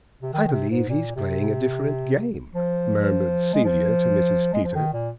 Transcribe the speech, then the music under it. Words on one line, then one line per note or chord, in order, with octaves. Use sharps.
"I believe he's playing a different game," murmured Celia to Mrs. Peter.
C3
D#3
D#3
C3
G#2
A#2
C3
F3
G#3
F3
G#3
F3
D#3
A#2